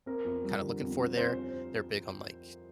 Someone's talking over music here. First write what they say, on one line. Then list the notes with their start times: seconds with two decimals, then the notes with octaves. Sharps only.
kinda looking for there. They're big on, like,
0.06 C4 A#4
0.25 F2
0.44 G3
0.61 D3
0.80 F2
0.98 C4
1.17 C4 C5
1.30 C5